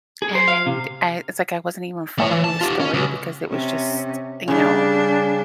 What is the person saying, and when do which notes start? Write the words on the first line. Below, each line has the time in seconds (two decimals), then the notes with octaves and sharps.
and, eh it's like I wasn't even following the story because it was just, you know,
0.22 G#4
0.35 C5
0.48 F5
0.66 C3
2.19 A3 C#5
2.31 E3
2.44 A5
2.61 F4 G4
2.80 C#4
2.94 C#2
3.49 C3 C#4
4.48 C#3 G3 D4